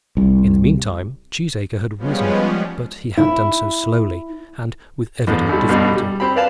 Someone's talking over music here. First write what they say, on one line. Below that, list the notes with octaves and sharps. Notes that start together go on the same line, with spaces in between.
In the meantime Cheesacre had risen; but he had done so slowly, and with evident difficulty.
C2
F3 G3 G#3 B3 C#4
E4
A1 E2
B1 G3
A1 G2 B2 G3
G3
C4 G4 B5
B4 D5 F5 A5